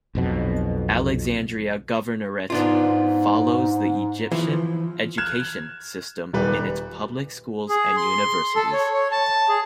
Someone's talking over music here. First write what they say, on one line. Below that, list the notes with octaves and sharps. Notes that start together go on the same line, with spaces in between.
Alexandria Governorate follows the Egyptian Educational System in its public schools and universities.
B1 F2 B2
G#2 B3 D4 F4
E3 F3
F6 F#6 G#6 E7
D#1 G3 B4
G#4
C6
A4
C#5
C#5
A5
G#4